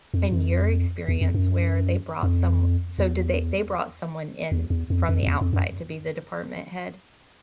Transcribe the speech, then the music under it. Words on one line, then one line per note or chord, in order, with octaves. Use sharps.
in your experience where they brought some so did they they brought someone in from the outside to be the department head?
F2
F2
E2
F2
F#2
F2
E2
E2
E2
F2
F2
F2
E2
F2
F#2